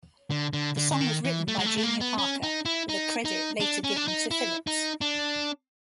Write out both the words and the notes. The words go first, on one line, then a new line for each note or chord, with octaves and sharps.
The song was written by Junior Parker, with a credit later given to Phillips.
D3
D3
D3
D3
D#3
E3
A3
G#3
A3
A3
A#3
B3
C#4
D#4
E4
D#4
D#4
D4
C#4
D4
D#4
E4
D#4
D4